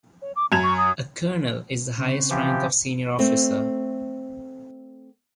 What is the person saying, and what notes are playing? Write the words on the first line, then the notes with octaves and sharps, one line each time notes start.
A colonel is the highest rank of senior officer.
C#5
D6
F#2 A5 G#6 F7
C#6
D#6
C#3 C4
E3 F3 G4
A3 C4